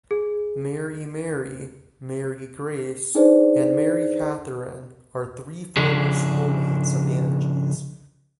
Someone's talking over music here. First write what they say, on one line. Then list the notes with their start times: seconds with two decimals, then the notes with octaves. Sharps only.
Mary Mary; Mary Grace; and Mary Katherine are three former school mates of Angie's.
0.11 G#4
3.15 D4 D#4 G#4 B4 C5 D5
5.77 C#3 F3 D4 G#4